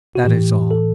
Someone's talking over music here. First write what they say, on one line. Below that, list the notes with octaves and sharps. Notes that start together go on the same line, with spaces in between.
That is all.
F#4
A2 E3 G4
A4